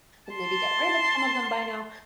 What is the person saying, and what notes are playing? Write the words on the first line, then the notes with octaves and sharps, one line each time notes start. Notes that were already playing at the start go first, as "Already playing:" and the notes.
and maybe get rid of some of them by now,
A5 C6